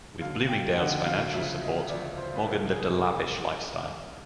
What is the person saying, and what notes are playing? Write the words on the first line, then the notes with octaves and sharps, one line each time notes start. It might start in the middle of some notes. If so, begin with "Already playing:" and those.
With Bloomingdale's financial support, Morgan lived a lavish lifestyle.
D#2 D3 F#3 F5
G5
D#2 D3 F#3 F#5
F5
D2 C#3 F3 E5
D#5
D2 C#3 F3 D5
C5
B4
C2 C3 F3 A#4
G#4